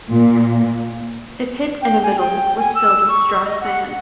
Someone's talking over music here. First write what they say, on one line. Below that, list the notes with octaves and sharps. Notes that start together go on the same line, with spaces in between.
A pit in the middle was filled with dry sand.
A#2
G5
G#5
G5
G#5
E6
C#6
D#5
F#5